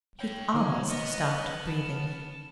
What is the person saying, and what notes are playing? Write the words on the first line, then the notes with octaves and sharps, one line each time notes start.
He almost stopped breathing.
C#5 G5
D#3 D#4 C5
B3 D#5 F6
A5